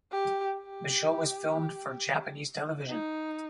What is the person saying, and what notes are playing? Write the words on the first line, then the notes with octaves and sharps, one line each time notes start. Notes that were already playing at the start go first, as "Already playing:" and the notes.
The show was filmed for Japanese television.
G4
G4
D#4